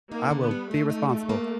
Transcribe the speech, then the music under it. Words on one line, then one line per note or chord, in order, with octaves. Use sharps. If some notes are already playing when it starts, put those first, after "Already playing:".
I will be responsible,"
A#3 D#4
D3
B3
G3
A3 D#4
D#4
D#4
A#3